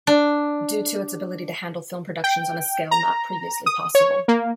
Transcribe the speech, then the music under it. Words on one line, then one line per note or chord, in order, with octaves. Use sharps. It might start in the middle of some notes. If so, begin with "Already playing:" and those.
Due to its ability to handle film productions on a scale not previously possible.
D4
G5
A#5
D#6
C#5
A#3